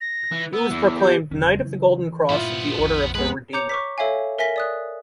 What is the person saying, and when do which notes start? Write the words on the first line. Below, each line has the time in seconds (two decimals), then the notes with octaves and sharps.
He was proclaimed "Knight of the Golden Cross of the Order of the Redeemer".
0.01 A#6
0.32 E3
0.53 B3 E6
0.71 E2
1.00 G4 G6
1.31 E1 C#3 F#3 C#4
1.64 E3
2.29 G2 A#2 B3 E4 F4 C5
2.78 A#1 F2
3.15 F2 G#3 B3 B4
3.53 C#5 A#5 D6 G6 C#7 F7
3.69 C#6 D6 B6
3.98 A4 C#5 E5 F5 G#5
4.39 A#4 E5 G#5 A#6 B6 G7
4.56 D5 D#6 F#6